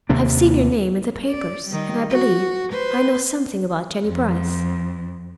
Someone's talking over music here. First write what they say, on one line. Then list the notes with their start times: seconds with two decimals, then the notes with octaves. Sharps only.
"I've seen your name in the papers, and I believe I know something about Jennie Brice."
0.09 D#2 C3 A#3 D4
1.29 D5
1.68 D#3 G3
2.10 F#4
2.71 B4 C5
4.05 F2